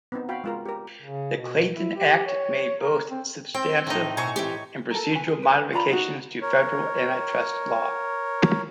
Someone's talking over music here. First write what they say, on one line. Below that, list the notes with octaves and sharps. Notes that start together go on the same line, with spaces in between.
The Clayton Act made both substantive and procedural modifications to federal antitrust law.
B3 C4 D#4
F#4 F5 G5 B5
G#3 F4 A#4
G4 A#4
C#3
B2
E4
G4
C#5
A#4
C4
C4 G5
A2 D#4
B2 C5 G#5 A#5 C#6 E6
E3 C4 G4
A4 A#4
B4 G#5
G#4
B4
F4 D5 A#5 B5
D#4 F4 F#4
A#4 C#5